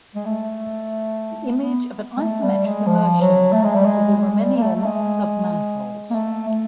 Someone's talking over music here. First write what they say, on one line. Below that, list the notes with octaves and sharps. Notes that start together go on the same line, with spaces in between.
The image of an isometric immersion is a Riemannian submanifold.
G#3
A3
B3
G#3
A3
G3
G#3
F3
F#3
A3
G#3
G3
G#3
G#3
G3
A#3
A3
A3
G#3
A#3
A3
A3